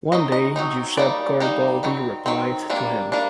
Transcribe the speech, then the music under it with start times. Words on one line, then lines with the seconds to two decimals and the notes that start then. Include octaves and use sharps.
One day, Giuseppe Garibaldi replied to him.
0.12 F#3 C4 D#4 D#5
0.32 D#5
0.56 F#3 C4 D#4
0.97 G3 A#3 D#4 D5
1.40 G3 A#3 D#4
1.83 D#3 F#3 C4
2.26 D#3 F#3 C4
2.70 G3 A#3 D4
3.12 G3 A#3 D4